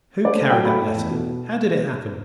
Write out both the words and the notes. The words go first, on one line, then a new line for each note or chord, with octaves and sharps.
"Who carried that letter? How did it happen?"
D5
A3 C5
F#3 G5
A3 B5
A3
E2
B2